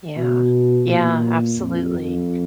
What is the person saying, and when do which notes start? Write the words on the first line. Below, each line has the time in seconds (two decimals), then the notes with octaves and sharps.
Yeah, yeah absolutely.
0.17 B2
0.87 A#2
1.58 F2
1.93 F2